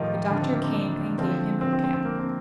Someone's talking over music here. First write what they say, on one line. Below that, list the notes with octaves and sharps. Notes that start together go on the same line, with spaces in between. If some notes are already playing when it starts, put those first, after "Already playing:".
The doctor came and gave him opium.
Already playing: A2 D#3 F3 G3 A3 D#4 F4 G4
D3 D4
C4
A#3
C4
D3 F3 A3 C4
C4
C4
C4
C4
A#3
C4